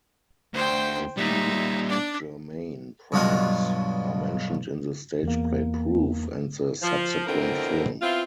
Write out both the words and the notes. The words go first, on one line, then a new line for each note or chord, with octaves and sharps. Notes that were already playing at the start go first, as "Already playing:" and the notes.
Sophie Germain primes are mentioned in the stage play "Proof" and the subsequent film.
D2 C5 G5
A#2 G3 D#4 E5
D4 D5
B1 G2 B2 D4 F4 F#4
E2 A#3
F3
F2 B2 D3 C4 E4 A#4
B3 C4 E4 F4